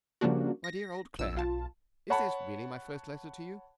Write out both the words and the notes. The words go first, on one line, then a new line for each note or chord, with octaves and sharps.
MY DEAR OLD CLAIRE,--Is this really my first letter to you?
C#3 F3 G3 A#3 D4 F#4
A#6
A#1 E6
B1 F4 A5
C#5 F#5 A5 B5